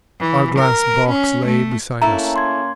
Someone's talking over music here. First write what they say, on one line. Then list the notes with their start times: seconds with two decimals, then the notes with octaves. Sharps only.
Our glass box lay beside us.
0.20 E3
0.59 A#4
1.10 C#4
1.47 A3
2.02 A3 A#3 C#4 E4 A#5
2.36 C6 G#6